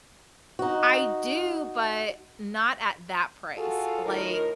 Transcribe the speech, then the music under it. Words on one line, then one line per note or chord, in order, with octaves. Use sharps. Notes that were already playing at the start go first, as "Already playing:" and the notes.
I do, but not at that price, like
D#4 F#4
F4 F#4 G#4 A4
A2 D#3 D#4 F4 A#4